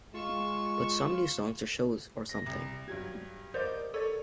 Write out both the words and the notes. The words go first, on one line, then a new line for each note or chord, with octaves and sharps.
But, some new songs or shows or something.
G#3 F4 C#6 E6
A#6
C2
G2 F#3 G4 G#6
A#4 C5 D5 D#5 F5 D6
A4 C#5 D5